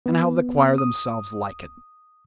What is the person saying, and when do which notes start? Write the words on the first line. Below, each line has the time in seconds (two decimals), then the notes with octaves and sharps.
And how the choir themselves like it!
0.06 B3
0.78 D#6